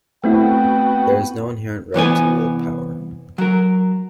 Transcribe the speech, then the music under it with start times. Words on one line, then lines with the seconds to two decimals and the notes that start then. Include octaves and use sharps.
There is no inherent right to wield power.
0.24 A3 B3 C4 E4 F#4 G5
1.94 C2 E3 B3 G#5
3.38 F#3 A#4